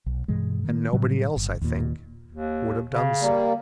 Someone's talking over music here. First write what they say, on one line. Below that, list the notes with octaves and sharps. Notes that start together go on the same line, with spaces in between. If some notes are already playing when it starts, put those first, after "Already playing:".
And nobody else, I think, would have done so.
B1
G2 B2 E3 G#3
D#3 A#3
A2 C#3 F#3 G3
G1
D#2 A#2
D#2
C#3
G3 A#3